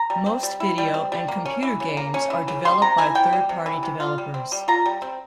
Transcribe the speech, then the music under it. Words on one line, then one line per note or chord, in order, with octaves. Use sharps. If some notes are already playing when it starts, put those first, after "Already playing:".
Most video and computer games are developed by third-party developers.
Already playing: A#5
G3
C4
G3
E4
G3
C4
G3
A#3
C#4
E3
C#3
A#3
C#4
E3
C#3
G3 C6
C3 A#5
E3 G#5
C3 G5
G3
C3
E3
C3
F4
G3
C4
G3
F4 A#5
G3
C4